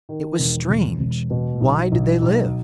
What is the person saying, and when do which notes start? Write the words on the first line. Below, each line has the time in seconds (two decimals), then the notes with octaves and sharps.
It was strange--why did they live?
0.09 D#3
0.39 E1
0.70 E1
1.00 E1
1.30 B2
1.61 B1
1.92 B1
2.22 B1